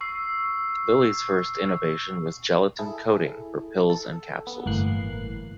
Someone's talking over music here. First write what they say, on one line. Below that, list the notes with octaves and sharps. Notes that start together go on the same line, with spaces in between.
Lilly's first innovation was gelatin-coating for pills and capsules.
C#6 E6 C7
E4 G#4 A4
A4
B3
G1 A2 E3 A#3 F#6 C7